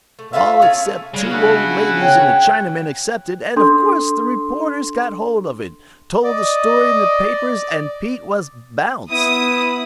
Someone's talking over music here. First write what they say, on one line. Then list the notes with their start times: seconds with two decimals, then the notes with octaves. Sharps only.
All except two old ladies and a Chinaman accepted and of course the reporters got hold of it, told the story in the papers and Pete was bounced.
0.19 A3
0.33 F4 A4 E5 F5
0.62 A3 C#4 G#4 A4
1.14 C#3 G3 G#3
1.31 B3 D4 E4 F#4
2.00 C#5 F#5 G5
3.56 D4 A4 C6
6.24 D5 D#5
9.10 B3 E4 D#6